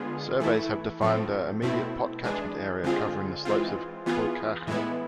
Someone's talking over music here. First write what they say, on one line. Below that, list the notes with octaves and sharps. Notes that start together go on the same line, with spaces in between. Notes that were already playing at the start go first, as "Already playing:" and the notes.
Surveys have defined a immediate pot catchment area covering the slopes of Cuilcagh.
Already playing: D3 G#3 B3 F4 G#4
E3 A3 E4
A2 F3 A3 C4
B2 A3 C4 E4
E3 G#3 D4 G#4
D3 G#3 C4 F4 G#4
E3 G#3 C4 F4
E3 B3 F4 G#4
A2 E3 G#3 B3 E4